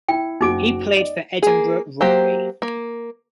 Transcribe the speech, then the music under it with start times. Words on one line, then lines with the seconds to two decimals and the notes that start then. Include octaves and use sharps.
He played for Edinburgh Rugby.
0.09 E4 G5
0.41 F#1 D#4 F#4 D6 D7
0.97 D5 D#5
1.42 A#3 G#4
2.01 F#3 A#3 G4 C5
2.62 A#3